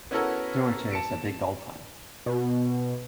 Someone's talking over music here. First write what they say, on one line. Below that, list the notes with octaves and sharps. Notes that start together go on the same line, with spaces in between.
Dougherty is a big golf fan.
B3 C#4 E4 F#4 A4 A#4
A5 C#7 D7
B2